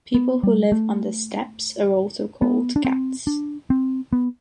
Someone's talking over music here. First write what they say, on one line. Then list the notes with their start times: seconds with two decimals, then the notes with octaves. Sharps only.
People who live on the steps are also called ghats.
0.14 B3
0.43 G3
0.72 A3
2.42 B3
2.76 D4
2.85 C4
3.27 D4
3.70 C4
4.13 B3